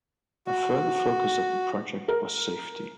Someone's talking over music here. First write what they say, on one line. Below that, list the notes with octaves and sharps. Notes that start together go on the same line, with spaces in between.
A further focus of the project was safety.
F#4
A#4